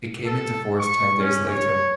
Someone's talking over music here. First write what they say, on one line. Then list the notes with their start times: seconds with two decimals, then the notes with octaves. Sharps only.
It came into force ten days later.
0.25 A4
0.78 C#6
1.17 C#4
1.47 C#5